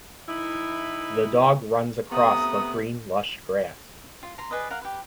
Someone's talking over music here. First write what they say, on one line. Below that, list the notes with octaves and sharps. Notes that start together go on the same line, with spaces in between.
The dog runs across the green lush grass.
E3 D#4 E4
C3 A3 B3 A#5 D#6
F4
A#5 C6
G#4 B4 D5 D#5
A#4 F5 F#5
G4 B4